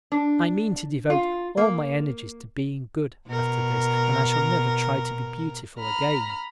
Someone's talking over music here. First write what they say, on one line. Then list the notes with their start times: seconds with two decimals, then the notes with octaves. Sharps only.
I mean to devote all my energies to being good after this and I shall never try to be beautiful again.
0.12 D4
1.10 F4
1.57 A#3
3.27 B2 A#4
5.79 A#5 B5 F6